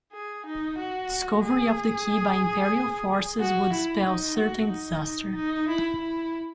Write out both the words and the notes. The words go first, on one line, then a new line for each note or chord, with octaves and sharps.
Discovery of the key by Imperial forces would spell certain disaster.
G#4
D#4
F#4
G#4
F#4
E4
D#4
F#4
D#4
D#4
E4
E4